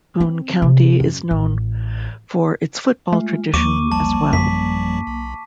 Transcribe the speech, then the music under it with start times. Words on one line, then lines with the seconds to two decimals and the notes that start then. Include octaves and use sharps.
Boone County is known for its football tradition as well.
0.20 C4
0.62 C3
1.00 F#2
1.31 A1
3.13 G#3 A3 F4
3.54 D#2 F3 A#3 C#6 D6 D#7
3.92 A1 F3 G3 A5
4.33 F#2 B6
5.07 B1